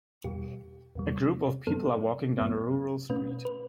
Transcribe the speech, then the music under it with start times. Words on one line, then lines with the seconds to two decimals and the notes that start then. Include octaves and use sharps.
A group of people are walking down a rural street.
0.24 E2 B2 G3 G4
0.95 E2 B2 G3
1.67 G2 F#3 B3 A4
2.38 G2 F#3 B3
3.09 B2 A3 C#4 B4
3.45 B4